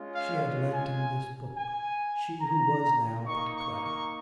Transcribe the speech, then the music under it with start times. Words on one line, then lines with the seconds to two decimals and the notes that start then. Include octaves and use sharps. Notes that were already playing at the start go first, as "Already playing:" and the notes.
She had lent him this book--she who was now but clay.
Already playing: G#3 C#4 F4
0.14 F5
0.71 G#5
1.57 G#5
2.41 A#5
3.26 A#3 D#4 C#6
3.55 C#6
3.84 C#6